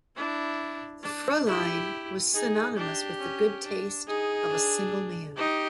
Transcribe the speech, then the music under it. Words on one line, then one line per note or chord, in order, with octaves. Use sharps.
The "Frua line" was synonymous with the good taste of a single man.
D4 E4
D4
E4 G4
D#4 G#4
D4 G4
C#4
D4
D#4 G#4
D4
D#4 G4